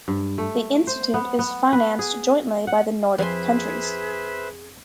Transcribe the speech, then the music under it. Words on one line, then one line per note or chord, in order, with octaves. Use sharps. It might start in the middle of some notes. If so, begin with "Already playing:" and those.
The institute is financed jointly by the Nordic countries.
G2
A3
C5
B3
B3
B4
G#4
F#5
F2 G#4 B4 C5 E5 G#5 C6